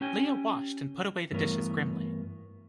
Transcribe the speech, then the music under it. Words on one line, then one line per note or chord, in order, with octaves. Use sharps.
Lia washed and put away the dishes grimly.
C#4 G4 G5 G#5
G2 E3 A3 B3 A#4